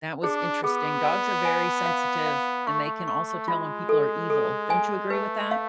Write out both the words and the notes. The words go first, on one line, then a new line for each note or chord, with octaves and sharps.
that was interesting. Dogs are very sensitive, and they can also tell when people are evil. Don't you agree with that?
D4 G#4
B3 G#4
D5
G#5
F5
F5
A3 C#6
C#6
G#3 F4
A4
A4
G#5
A3 B4
F5